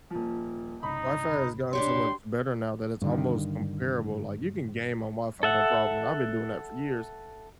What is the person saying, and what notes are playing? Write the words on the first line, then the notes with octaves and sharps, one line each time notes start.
Wi-Fi has gotten so much better now that it's almost comparable like, you can game on Wi-Fi, no problem, and I've been doing that for years.
D#1 F3
G1 C2 C#3 D#4 B5
D4 G4 C#5 C6
G2 D3 D#3
A4 E5 F#5